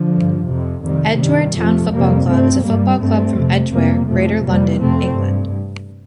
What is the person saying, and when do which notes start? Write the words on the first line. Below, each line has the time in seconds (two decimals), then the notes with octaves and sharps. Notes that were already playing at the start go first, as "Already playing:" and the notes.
Edgware Town Football Club is a football club from Edgware, Greater London, England.
Already playing: D3 F3
0.12 G2
0.48 F2 C3
0.84 F2 C3 D#3 G3
1.20 G2 D#3 G3
1.56 F2 C3 F3 A3
1.92 F2 C3 G3 A#3
2.28 G2 A3 C4
2.64 G2 G3 A#3
3.00 G2 A3 C4
3.36 F2 C3
3.72 F2 C3 G3 A#3
4.08 F2 C3 F3 A3
4.45 F2 C3 G3 A#3
4.81 F2 C3 A3 C4
5.16 G2